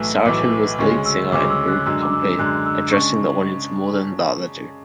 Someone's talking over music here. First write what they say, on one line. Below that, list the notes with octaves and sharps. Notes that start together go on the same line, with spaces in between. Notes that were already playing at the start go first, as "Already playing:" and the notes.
Sartin was lead singer and group-compere, addressing the audience more than the other two.
Already playing: B1 A2 E3 A3 E6
B1 A2 E3 A3 D6
D2 C#3 G#3 C#4 C#6
E6
D2 C#3 G#3 C#4 D6
E6
F#6
F#2 D3 G#3 E6
D6
E6
F#2 D3 G#3 F#6
E6
C#3 G#3 D4 C#6